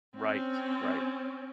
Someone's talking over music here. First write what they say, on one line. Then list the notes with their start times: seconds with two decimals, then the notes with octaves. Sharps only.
Right, right.
0.15 C4 C#4